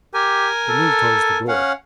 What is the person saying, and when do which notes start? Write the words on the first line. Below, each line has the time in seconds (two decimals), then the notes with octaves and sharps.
He moved towards the door.
0.14 G4 A#4 G#5
0.69 A4
1.48 C#4 F5 F#5